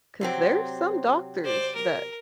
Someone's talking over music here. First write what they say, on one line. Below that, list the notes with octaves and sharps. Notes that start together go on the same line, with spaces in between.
'Cause there's some doctors that
C3 F#3 C4
C5 D5
A#4